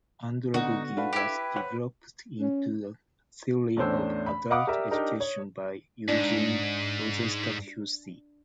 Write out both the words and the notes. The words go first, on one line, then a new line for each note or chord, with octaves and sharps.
Andragogy was developed into a theory of adult education by Eugen Rosenstock-Huessy.
D3 B3 D#4 F#4
D4 A4 B4 F5
E4 G4
C5 C#5 F#5
C#4
E2 A2 C#4 D4 C5 E6
B5
D#5 F5 F#5 B5 D6 D#6
G4 A#4 D5 E5
D4 D#4 G4 A#4
C#5
G#2 D4